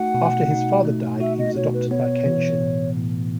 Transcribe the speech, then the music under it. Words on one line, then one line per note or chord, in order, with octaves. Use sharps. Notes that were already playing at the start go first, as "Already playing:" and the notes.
After his father died, he was adopted by Kenshin.
Already playing: A3 D#4 F#4 F#5
B2
D#4
A3
F#4 E5
D#5
B2 C#5
B4
B3 C#5
E3
A2
A2